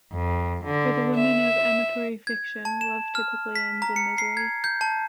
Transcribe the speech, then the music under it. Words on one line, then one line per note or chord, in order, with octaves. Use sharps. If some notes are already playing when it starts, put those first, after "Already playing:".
For the women of amatory fiction, love typically ends in misery.
F2
D3
E5
G#6
A5
E7
F6
B6
A#5
C#7
C7
G#6
G6
A5